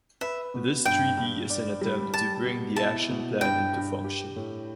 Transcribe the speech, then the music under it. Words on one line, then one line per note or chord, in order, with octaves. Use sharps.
This treaty is an attempt to bring the action plan into function.
B4 E5
B2
G2 G5
G2
D5
G3
G4 A5
B2
E4 A5
B2
G2 G5
G2
G4
A2